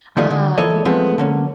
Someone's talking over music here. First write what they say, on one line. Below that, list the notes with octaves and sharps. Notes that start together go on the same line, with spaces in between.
Ah, you you
D3 D#3 F3 G3 A3 D#4
D3
E3 A#3 A4 C#5 D#5
F3 G#3 A3 B3 C4
D3 A#3 C#4